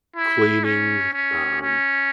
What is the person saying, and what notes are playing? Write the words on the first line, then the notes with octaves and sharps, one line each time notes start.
cleaning, um
E4
C#4
C#4
C#4